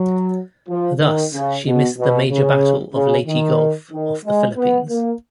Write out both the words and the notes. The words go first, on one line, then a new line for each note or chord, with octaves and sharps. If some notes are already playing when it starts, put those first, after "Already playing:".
Thus, she missed the major Battle of Leyte Gulf off the Philippines.
Already playing: F#3
F3
D#3
C#3
B2
B2
C#3
C#3
D#3
D#3
G#3
B3
A#3